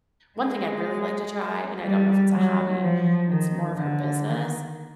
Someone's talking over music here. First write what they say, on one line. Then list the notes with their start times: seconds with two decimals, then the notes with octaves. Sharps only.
One thing I'd really like to try, and I don't know if it's a hobby, it's more of her business,
0.39 G#3
1.83 G3
2.32 F#3
2.80 F3
3.28 D#3
3.75 D3
4.24 D#3